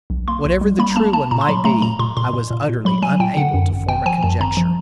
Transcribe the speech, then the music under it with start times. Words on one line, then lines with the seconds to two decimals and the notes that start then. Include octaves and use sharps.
Whatever the true one might be, I was utterly unable to form a conjecture.
0.10 B1
0.28 A#3 C6
0.45 B1
0.61 G3
0.79 A#3 B5
0.90 A#5
0.96 A#3 A5
1.13 A#3 A5
1.31 A#2 A#5
1.41 C6
1.49 F#3 B5
1.65 A3 A#5
1.82 A#2 A#5
1.99 A#2 C6
2.17 A#2 C6
2.34 A#2
2.51 A#2
2.69 A#2
2.85 F#3 B5
3.03 F#3 G#5
3.20 A#2 G5
3.37 D3 F#5
3.54 F#2
3.72 G#1
3.88 G#1 G5
4.06 F3 G#5
4.23 F#2 A5
4.40 G#1 A#5
4.57 F3